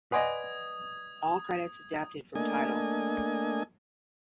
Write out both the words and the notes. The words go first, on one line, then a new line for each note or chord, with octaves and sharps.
All credits adapted from Tidal.
B4 D5 D#5 F#5 G#5 C6 D#6 G#6
A3 A#3 D4 D#5 G#5